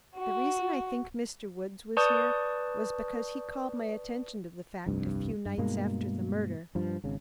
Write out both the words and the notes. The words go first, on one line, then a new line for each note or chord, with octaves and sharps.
The reason I think Mr. Woods was here was because he called my attention to the fact a few nights after the murder.
F#4
B4 D5 A5 C#6 D#6 G6
F1 C2 G2
G2
G2 B2 G#3 A#3
G2 F3
G#1 C#3